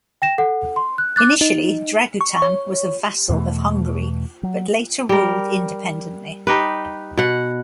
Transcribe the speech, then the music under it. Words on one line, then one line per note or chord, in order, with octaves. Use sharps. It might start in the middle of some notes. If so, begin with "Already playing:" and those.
Initially, Dragutin was a vassal of Hungary but later ruled independently.
G5 A#6 E7
A4 F#5
C6
F#6
D6 F#6 A6
D#4
C#6
C#5
E2 B2 E3 A3
F#3
G3 A#4
D#4 G4 B4
B2 F#5